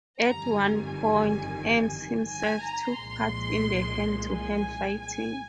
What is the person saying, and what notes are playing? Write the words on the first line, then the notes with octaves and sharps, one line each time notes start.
At one point Ames himself took part in the hand-to-hand fighting.
G1 F2 D#3 G3 A#5
G#5
G#5
A#5
C2 A#2 F3 G#3 C6
G#5
G#5